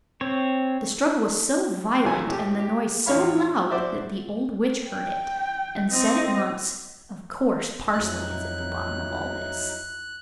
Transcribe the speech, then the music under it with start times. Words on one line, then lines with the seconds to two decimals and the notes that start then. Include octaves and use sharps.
The struggle was so violent and the noise so loud that the old witch heard it, and said at once 'Of course Parsley is at the bottom of all this.'
0.21 C4 C#5
2.05 C#2 E3 F#3 A3 G#5
2.28 A2 G4
2.59 G4
3.06 E2 A2 F3 C#5 F5 B5
3.70 E4 F#4 C5 D5 E5
4.90 G5
5.90 C4 D#5
7.93 F2 F#3 D#4 E4 F#6